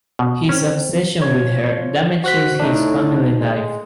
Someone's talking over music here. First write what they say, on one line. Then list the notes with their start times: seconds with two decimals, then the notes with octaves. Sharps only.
His obsession with her damages his family life.
0.19 B2
0.49 C4 C#4
1.22 F3 C#5
2.24 F#4 C5 F#6 B6
2.60 A2 D4 D#4
3.39 G#3